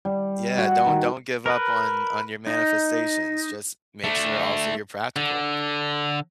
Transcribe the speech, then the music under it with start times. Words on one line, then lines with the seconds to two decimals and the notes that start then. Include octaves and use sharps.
Yeah. Don't don't give up on on your manifestations. Just make sure also you're practical.
0.05 G3
0.57 F#4
0.86 D#3
1.46 A#4 B4
2.47 D#4
4.04 A3 D4
5.16 D3